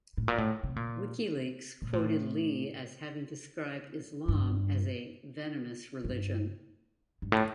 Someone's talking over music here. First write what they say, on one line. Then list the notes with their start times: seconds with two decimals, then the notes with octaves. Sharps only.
Wikileaks quoted Lee as having described Islam as a "venomous religion".
0.17 A2
0.28 A#2
0.38 A2
0.64 C3
0.76 A#2
1.82 A#2
1.93 A2
4.28 G2
6.04 G2
7.22 G2
7.32 A2